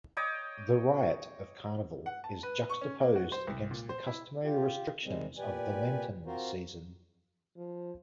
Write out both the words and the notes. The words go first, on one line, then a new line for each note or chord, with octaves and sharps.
The "riot" of Carnival is juxtaposed against the customary restrictions of the Lenten season.
C#5 D#5 G5 D6
F#5
A5
B4
C#6
C#4
A#3
F#4
C5
C2
A#2
C5
E4
F4 G4
C3 D#3 G3 G#3 C4
A#2 G4 B4 D5 G#5
C4 F4 F#4 A#4 C5
F3